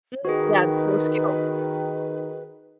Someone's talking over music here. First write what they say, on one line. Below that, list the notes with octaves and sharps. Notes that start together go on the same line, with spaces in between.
Mm, yeah, no skills.
D#3 F#4 G#4 B4